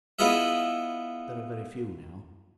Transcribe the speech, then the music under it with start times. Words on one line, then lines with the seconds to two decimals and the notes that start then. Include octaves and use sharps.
There are very few now.
0.19 B3 E4 F4 G#4 D#5 E5